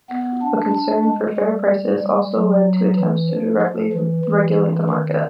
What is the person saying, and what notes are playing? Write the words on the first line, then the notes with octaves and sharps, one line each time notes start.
But concern for fair prices also led to attempts to directly regulate the market.
B3
D4
D4
G#3
G3
G3
F#3
E3
F3
F3
E3
E3
D#3